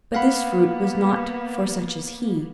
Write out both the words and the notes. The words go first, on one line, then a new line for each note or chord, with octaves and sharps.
But this fruit was not for such as he.
A#3 B3 F5 F#5 B5